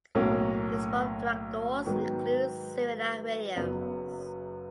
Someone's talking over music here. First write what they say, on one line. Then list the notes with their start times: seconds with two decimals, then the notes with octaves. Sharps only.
Its board of directors includes Serena Williams.
0.15 B1 A2 F#3 A#3 C#4
1.85 G#2 D#3 F#3 B3
3.55 F#1 F#2 C#3 F#3 B3